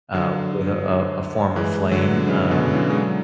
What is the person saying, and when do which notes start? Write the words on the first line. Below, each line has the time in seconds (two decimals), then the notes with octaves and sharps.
uh, with, uh, a former flame, um,
0.14 D3 F#3
1.56 E3 G#3
1.92 D3 F#3
2.27 C#3 E3
2.39 C#3
2.51 B2 D3
2.74 C#3 E3
2.90 G#3
2.98 D3 F#3